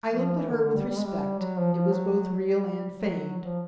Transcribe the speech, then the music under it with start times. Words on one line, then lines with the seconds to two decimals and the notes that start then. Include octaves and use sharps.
I looked at her with respect; it was both real and feigned.
0.12 F3
0.38 E3
0.51 D3
0.64 D3
0.76 G3
0.89 G3
0.98 G#3
1.05 G3
1.40 F#3
1.57 F3
1.74 F3
1.91 F#3
2.42 G3
2.93 F#3
3.44 F3